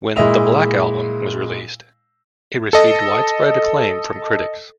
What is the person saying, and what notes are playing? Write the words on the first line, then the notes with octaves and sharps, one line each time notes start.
When "The Black Album" was released, it received widespread acclaim from critics.
A#2 G#3 E4 D#5 E5 F7
A4 D#5